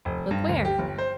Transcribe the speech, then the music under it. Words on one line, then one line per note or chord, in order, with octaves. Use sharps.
"Look where?"
F1
G2
D2
G4
G1
C5